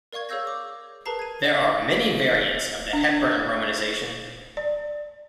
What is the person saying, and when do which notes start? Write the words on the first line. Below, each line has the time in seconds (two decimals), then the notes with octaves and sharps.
There are many variants of the Hepburn romanization.
0.13 A#4 D5 F5 C#6 G#6
0.29 G#4 C#5 F5 E6 G6 A#6
0.47 D6
1.06 G#4 A#4 B4 A5 A#5 C7
1.19 G#6 D#7
1.43 D5 D#5 F#5 A#6 D#7 F#7
2.93 D4
4.57 D5